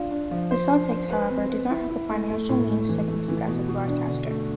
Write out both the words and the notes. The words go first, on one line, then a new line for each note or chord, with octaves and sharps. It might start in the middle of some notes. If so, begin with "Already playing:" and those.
The Celtics, however, did not have the financial means to compete as a broadcaster.
Already playing: D4 F4
D4
F3
C5
D4
C5
B4
C4
B4
E4
E4
A3
A3
A2
A3
E3
A3
E3
B2
B2
D4
D3
A3